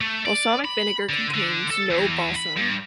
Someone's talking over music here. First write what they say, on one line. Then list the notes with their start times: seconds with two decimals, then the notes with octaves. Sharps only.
Balsamic vinegar contains no balsam.
0.01 A3
0.25 D5
0.64 B5
1.09 D3
1.34 D3
1.70 A4
1.90 E2
2.36 B5
2.57 G2